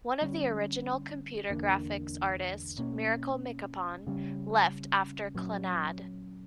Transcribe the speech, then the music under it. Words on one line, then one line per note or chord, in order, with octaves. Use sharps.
One of the original computer graphics artists, Miracle Mikipon, left after "Clannad".
D3 G3 C#4
E2 D3 A#3 D4
B2 A#3 C#4
C#3 G3 C#4
A#2 F#3 C#4